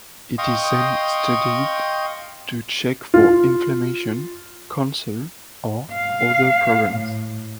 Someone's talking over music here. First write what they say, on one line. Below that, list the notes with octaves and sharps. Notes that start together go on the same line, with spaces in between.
It is then studied to check for inflammation, cancer, or other problems.
D#5 F5 G5 C6 C#6 D#6
F4
F5
A2